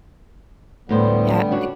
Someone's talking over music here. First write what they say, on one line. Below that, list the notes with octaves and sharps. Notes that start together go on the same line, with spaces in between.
Yeah. I
D2 A2 D3 G3 B3 C5
C#4 D4 F#4